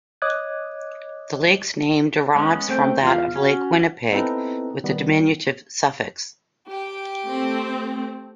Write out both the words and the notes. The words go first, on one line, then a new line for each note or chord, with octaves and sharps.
The lake's name derives from that of Lake Winnipeg, with a diminutive suffix.
C#5 D#5 D6 D#6 F#6 G#6
G#3 B3 C#4
A3 C4 G5
E2 F4 F5
C#4 F#4
B3 C4 D#4 E4 A4 B4
D#3 G3 B3
G4 G5
A3 C4